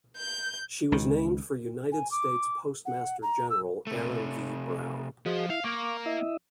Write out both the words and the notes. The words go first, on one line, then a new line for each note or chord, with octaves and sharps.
She was named for United States Postmaster General Aaron V. Brown.
G6
C#2 D#3
G#5
D6
F#5
A#5
E6
C3 A3
F3 F#4 G#4 D#5
E4 E5 F5
A#3 F5 C#6 D6
E4 D#5 E5